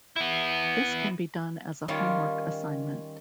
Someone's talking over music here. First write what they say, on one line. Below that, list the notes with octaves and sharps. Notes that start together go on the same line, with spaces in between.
This can be done as a homework assignment.
B3 E4
D#3 G3 C#4 F4 C#5